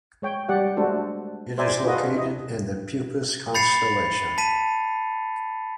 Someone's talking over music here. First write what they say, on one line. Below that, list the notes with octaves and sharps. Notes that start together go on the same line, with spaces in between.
It is located in the Puppis constellation.
G#3 C#5 G5
G3 G4 D5 F#5
G#3 A3 D4 F#4 A4 C5
C5 D5 E5 G#5 A#5
D4 F4 F#4 G#4 B4 D#5
E4 D#5
B5 G6 A6 C7 C#7 F7
A5 B6 D#7